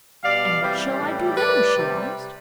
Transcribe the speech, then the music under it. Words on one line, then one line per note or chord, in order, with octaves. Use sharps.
'And what shall I do there?' she asked.
B2 G3 D5 F5
C3 E3 G3
A2 E3 G3
A2 G3 B4 D5
C3 G3